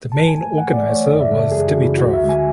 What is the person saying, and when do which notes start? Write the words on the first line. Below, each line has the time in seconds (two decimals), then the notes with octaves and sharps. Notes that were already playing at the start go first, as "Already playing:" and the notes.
The main organizer was Dimitrov.
0.12 G#2 A5
0.28 G#5
0.35 E3 A3
0.43 G#5
0.58 G#2 F#5
0.73 D5
0.82 E3 A3
0.90 C#5
1.05 F#2 D5
1.21 E5
1.28 C#3 E3 G#3
1.36 A4
1.52 F#2 G#4
1.67 F#4
1.75 C#3 E3 G#3
1.83 E4
1.97 D2 F#4
2.14 E5
2.21 D3 G#3
2.29 G#5